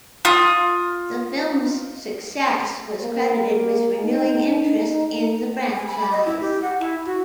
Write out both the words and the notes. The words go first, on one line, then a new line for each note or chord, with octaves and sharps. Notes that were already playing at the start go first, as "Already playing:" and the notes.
The film's success was credited with renewing interest in the franchise.
F4 D#6
A#3
D#4
G#5
B5
D#5
E4
G4
F#5
E4
F#4